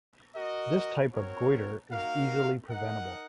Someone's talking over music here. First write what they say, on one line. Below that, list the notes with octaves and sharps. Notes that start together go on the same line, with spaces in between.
This type of goiter is easily preventable.
F#4 A#4 D#5
C4 F#4 A#4 C#5
A#3 D#4 F#4 A#4 F5
D#4 A#4 D#5 F#5